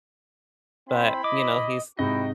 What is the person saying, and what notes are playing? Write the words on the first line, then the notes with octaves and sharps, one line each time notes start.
But you know, he's
C4 E4 B5
D#5 D6
G#2 C3 D#4 E4 F#4 D#5 G5